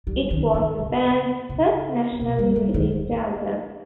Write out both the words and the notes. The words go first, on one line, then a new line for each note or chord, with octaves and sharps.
It was the band's first nationally-released album.
G3
D#3
D#3
C#3
C#3
B2
G3
G3
D#3